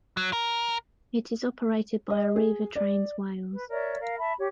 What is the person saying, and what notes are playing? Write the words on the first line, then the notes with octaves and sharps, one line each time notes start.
It is operated by Arriva Trains Wales.
F#3
A#4
D#5
G#4
D5
B4
A#4 C#5 D5 E5
A#4 F5
E5 A5 B5
G4 C#5